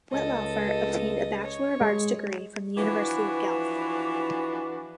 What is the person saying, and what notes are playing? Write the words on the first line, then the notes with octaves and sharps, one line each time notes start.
Wettlaufer obtained a Bachelor of Arts degree from the University of Guelph.
C#2 A4 D#5
C#5
G#3
E3 F3 D4 F#4 B4